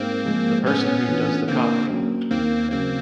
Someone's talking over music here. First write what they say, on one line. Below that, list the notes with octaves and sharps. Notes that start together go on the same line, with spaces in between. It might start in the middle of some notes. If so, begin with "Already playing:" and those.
The person who does the copying.
Already playing: G#2 A#3 C4
F3 G#3
A2 B3 C#4
E3 A3 D4 F4
D3 A#3 C4
F#3 A#3 C#4
D#2 A#3 C4
C#3 F#3 A#3 C4